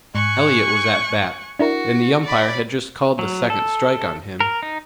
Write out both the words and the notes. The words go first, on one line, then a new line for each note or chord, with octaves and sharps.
Eliot was at bat, and the umpire had just called the second strike on him.
G#2 G#5 C#6 F#6
D4 E4 F#4 A#4
D5 B5
F#3
A4
A#4
D#4